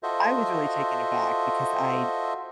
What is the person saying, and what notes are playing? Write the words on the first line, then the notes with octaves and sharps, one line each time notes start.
I was really taken aback, because I
F4 F#4 A4 C5 D#5 E5